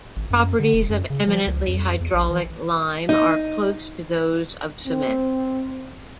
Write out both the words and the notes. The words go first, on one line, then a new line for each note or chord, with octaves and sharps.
Properties of eminently hydraulic lime are close to those of cement.
G#1
F#2
D3
E1
F#2
C#3
F3
C#2
F2
E2
A#1
E3
D#4
C4